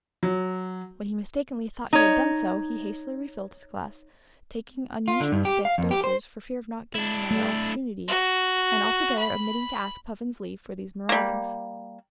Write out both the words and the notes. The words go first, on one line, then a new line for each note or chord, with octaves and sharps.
When he mistakenly thought he had done so, he hastily refilled his glass, taking unusually stiff doses for fear of not getting another opportunity, and altogether omitting to ask Puffin's leave for these maraudings.
F#3
D#4 C#5
F4
D3
G2
G4
F5
F2
G4
C5
D4 E4
A3
F#4
B5
G3 A#3